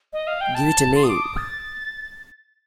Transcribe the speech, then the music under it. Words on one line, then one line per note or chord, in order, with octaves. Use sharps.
Give it a name.
D#5
F5
G5
A5
C6
D#6
D6
D#6
A6